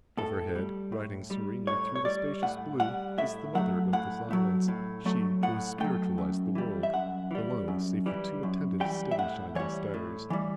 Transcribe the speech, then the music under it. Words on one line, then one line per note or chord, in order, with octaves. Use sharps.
Overhead, riding serenely through the spacious blue, is the mother of the silence, she who has spiritualised the world, alone save for two attendant steady shining stars.
A2 A4
G3
A2
G3
A2 C#5
C#5
G3 D5
A2 F#5
G3 F#5
A2 E5
F#3 A3 F#5
A2 F#5
F#3 A3
A2
F#3 A3
A2 F#5
F#3 A3 G5
F#2
E3 G3
E5
F#2 F#5
E3 G3
F#2
E3 G3
F#2
E3 G3 G5
E5
A2 F#5
E3 G3 C#5
A2
E3 G3